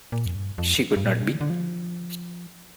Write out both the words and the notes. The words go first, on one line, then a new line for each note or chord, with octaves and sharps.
She could not be.
A#2
F2
G2
F2
G2
A#2
C3
D3
D3
F3